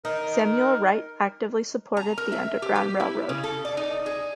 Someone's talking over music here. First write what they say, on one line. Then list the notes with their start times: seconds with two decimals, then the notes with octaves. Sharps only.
Samuel Wright, actively supported the Underground Railroad.
0.05 D#4 A#4
1.97 A#5
2.18 A#4
2.32 E5
2.62 G4
2.75 G4
3.00 E4
3.29 C#3
3.44 A4
3.65 D5
3.77 D#4
4.06 G#4